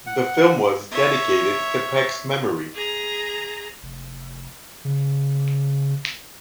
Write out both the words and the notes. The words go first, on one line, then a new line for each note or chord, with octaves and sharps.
The film was dedicated to Peck's memory.
F#5
C#5 E5
G#4 A#5
F1
C#3